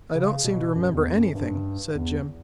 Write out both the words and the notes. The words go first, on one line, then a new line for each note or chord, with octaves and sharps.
"I don't seem to remember anything," said Jim.
C#3
B2
F#2
E2
F#2
G2
E2